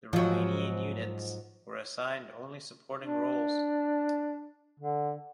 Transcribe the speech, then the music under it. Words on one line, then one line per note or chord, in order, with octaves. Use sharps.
The Romanian units were assigned only supporting roles.
G#2 F3 F#3
D4
D3